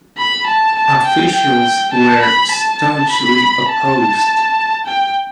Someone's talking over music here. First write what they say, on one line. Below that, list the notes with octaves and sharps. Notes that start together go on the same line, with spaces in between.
Officials were staunchly opposed.
B5
A5
A5
G5
G5
A5
B5
A5
B5
A5
G5